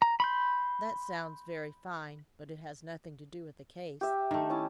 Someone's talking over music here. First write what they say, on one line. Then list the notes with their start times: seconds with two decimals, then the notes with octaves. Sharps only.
'That sounds very fine, but it has nothing to do with the case.
0.02 A#5
0.20 B5 C6 G6
4.01 G4 E5
4.31 D#3 A3
4.50 C#4 E4 A5